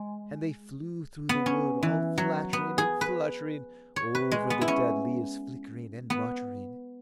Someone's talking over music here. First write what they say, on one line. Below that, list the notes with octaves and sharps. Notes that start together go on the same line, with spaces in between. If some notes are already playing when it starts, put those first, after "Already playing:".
And they flew through the wood all flattering and fluttering, Over the dead leaves flickering and muttering.
Already playing: G#3
B3
C#4
E3
F#3
B3
G#4
B4
C#5
B4
G#3
B3
E4
C#4
B3